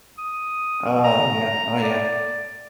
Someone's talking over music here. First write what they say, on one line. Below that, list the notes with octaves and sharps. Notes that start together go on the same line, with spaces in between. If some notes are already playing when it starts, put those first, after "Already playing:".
Oh, yeah, oh, yeah.
D#6
A#5
D5